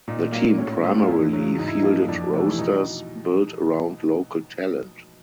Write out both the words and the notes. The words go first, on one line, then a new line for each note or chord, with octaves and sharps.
The team primarily fielded rosters built around local talent.
A#2 D#4
F#3 A#3
A2 C#4
C#4
F#3 A3 C4
F4
E2 E4
C#3 F#3
G#2 D#4
E4
D#4
F3 A#3
F2 D4
C3 E3 A3
E4
B2 D#4